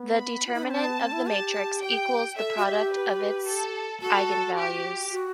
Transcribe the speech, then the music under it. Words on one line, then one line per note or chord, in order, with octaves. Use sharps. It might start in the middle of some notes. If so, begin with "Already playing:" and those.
The determinant of the matrix equals the product of its eigenvalues.
Already playing: B3
B5
F#4
E4
D4
C4 A5
B3
C4
E4
G4 A5
G5
A4 E5
F#4
G4
B4
A4
F#4 A4
G4
F#4